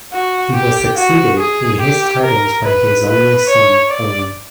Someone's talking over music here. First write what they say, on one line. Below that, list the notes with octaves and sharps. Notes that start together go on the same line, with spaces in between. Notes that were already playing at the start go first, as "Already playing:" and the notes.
He was succeeded in his titles by his only son, Owen.
F#4
G4
F#4
G#4
G4
A#4
B4
B4
C#5
D5